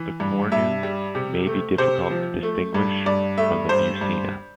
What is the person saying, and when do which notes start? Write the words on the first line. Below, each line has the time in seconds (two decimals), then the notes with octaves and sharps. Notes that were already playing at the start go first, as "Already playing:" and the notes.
The "cornu" may be difficult to distinguish from the buccina.
Already playing: E3
0.20 G2
0.52 G2 E5
0.83 G3
1.15 C3
1.47 A3
1.78 C3 C5
2.10 F3
2.43 A3
2.75 G2
3.06 G2 D5
3.38 A3 E5
3.69 G2 C5
4.01 G2